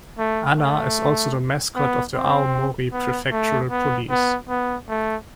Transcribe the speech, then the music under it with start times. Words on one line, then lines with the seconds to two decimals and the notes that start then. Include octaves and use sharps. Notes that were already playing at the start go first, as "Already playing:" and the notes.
Anna is also the mascot of the Aomori prefectural police.
0.18 A3
0.58 A3
1.76 B3
2.14 C4
2.92 B3
3.31 A3
3.71 B3
4.10 B3
4.49 B3
4.89 A3